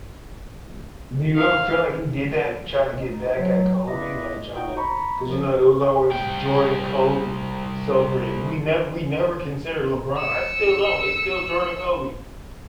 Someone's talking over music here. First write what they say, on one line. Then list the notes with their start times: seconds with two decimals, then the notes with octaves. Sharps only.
Do you ever feel like he did that, tryna get back at Kobe, like tryna 'cause you know, it was always Jordan, Kobe, so for i we never we never considered LeBron, I still don't, it's still Jordan, Kobe.
1.35 F5
2.98 D#4
3.36 F#3
3.87 B3 E4 F4 B4 D5 D#5
4.55 D#4 F#4 G5
4.76 A#5 B5 C#6
5.27 F#2 F3
6.11 C2 G5
10.17 E6 C#7